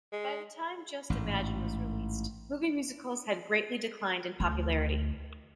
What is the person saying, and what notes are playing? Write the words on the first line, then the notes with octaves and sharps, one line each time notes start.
By the time "Just Imagine" was released, movie musicals had greatly declined in popularity.
G#3
A1 G#2
D2